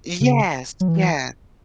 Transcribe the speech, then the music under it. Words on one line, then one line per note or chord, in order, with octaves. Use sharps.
Yes. Yeah.
C#3
F#3
E3